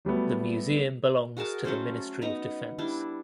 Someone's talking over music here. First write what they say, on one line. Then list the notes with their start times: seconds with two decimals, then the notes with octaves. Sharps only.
The museum belongs to the Ministry of Defense.
0.05 F#3 G3 A3 B3
1.37 F#4 G#4 A#4 A5
1.65 F#3 A3 C#4 C5
2.22 B3 D#4 A#5
2.78 G3 D4 E4